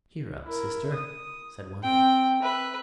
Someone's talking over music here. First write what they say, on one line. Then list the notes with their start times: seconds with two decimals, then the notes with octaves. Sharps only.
"Cheer up, sister," said one.
0.45 E4 A#4
0.93 D#6
1.83 C4 G5
2.42 B4 E5